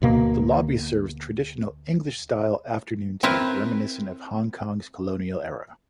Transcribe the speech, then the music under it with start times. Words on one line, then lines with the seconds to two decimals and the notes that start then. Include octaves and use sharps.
The Lobby serves traditional English-style Afternoon Tea, reminiscent of Hong Kong's colonial era.
0.02 D2 B2 A#3
3.23 C4 E4 A#4 B4